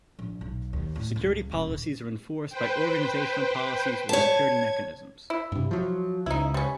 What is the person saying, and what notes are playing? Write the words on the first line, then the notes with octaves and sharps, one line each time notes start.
Security policies are enforced by organizational policies or security mechanisms.
A#1
B1
D#2
A2
C#2
D#1
B4 C5 G5
C#5 A5 G#6
E4
G2 C3
F3 F#3
C#2 D#4 E4
G3 C#4